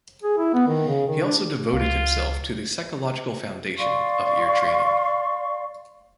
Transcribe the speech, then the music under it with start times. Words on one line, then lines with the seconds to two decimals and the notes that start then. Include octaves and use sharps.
He also devoted himself to the psychological foundation of ear training.
0.23 G#4
0.38 E4
0.54 B3
0.68 D#3
0.88 C#3
1.08 D#3
1.24 D4
1.73 C#2 F4
3.79 D5 F5 C6 C#6